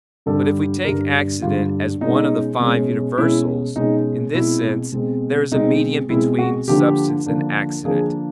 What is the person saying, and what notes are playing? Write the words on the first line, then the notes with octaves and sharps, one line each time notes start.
But if we take accident as one of the five universals, in this sense there is a medium between substance and accident.
G2 D3 G3 A4
G2 D3 G3 A#4
G2 D3 G3 F4
B2 G#3 C#4 D#4
B2 G#3 C#4
B2 G#3 C#4 E4
B2 G#3 C#4 D#4
B2 G#3 C4 E4
B2 G#3 C4
B2 G#3 C4 D#4
B2 G#3 C4 E4
F#4
D3 F3 A#3 D4 G4
D3 F3 A#3 D4
D3 F3 A#3 D4 G#4